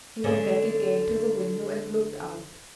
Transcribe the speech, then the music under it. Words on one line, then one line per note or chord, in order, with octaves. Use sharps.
He went back again to the window and looked out.
D3 G#3 C#4